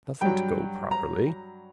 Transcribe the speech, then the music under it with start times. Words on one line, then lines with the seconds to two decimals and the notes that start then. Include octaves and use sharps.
Doesn't go properly.
0.21 G2 F#3 G5
0.91 A#5